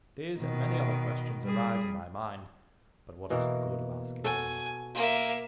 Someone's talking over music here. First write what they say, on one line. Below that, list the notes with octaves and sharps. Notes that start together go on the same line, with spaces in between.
These and many other questions arise in my mind, but what is the good of asking them now?
B2 D#3
G3 G#4
B2 E3 A#3
F#4 A4 G#5
A#3 E5